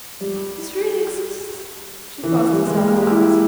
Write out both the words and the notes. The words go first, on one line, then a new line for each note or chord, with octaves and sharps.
'This really exists?' she forced herself to ask.
G3
E3
G3
G#3
A#3
G4
E4